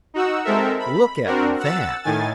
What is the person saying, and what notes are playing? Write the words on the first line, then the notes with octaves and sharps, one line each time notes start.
"Look at that!"
D#4 F#4 F#5 E6
G#3 C4 A4 A#4 E5
B5
C4 D4 F#4 A#4
F#5 E6 A6
A2 D#3 G#5 A6